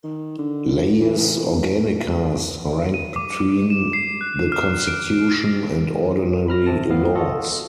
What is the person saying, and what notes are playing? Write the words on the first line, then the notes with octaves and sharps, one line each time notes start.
Leyes Organicas rank between the Constitution and ordinary laws.
D#3
D3
D#1
E3
D#7
D6
E7
C7
F#6
F6
D7
B5 F6 A#6
A1 C3 C4 A5 A#6
G#1 F#2 A2 B3 F5
F4 F#4 A4 D#5